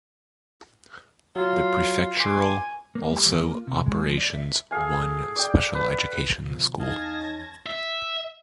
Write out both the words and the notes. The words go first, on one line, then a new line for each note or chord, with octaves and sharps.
The prefectural also operations one special education school.
F#3 F4
G#5 C6 D6
A#3
G3
D#2
A#3
F4
C3
G#3
F3
D5
E5
G#4 A4 F5 G#5
D5 G5
B4
B2 D3 F3
E2 D#4 D#5 F5 G#5 A5 G#6 A#6
C#4
E5